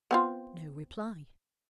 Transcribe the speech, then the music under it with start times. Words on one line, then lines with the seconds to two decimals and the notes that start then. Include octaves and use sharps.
No reply.
0.11 B3 C4 F4